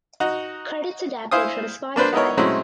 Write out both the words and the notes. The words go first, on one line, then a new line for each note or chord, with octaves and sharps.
Credits adapted from Spotify.
D#4 F#4
E4 C5 F5 G#5 D#6
A#3 D4 B4 C5
B3 D#4 E4 A#4 C#5
F#3 G#3 A3 C4 C#4 E4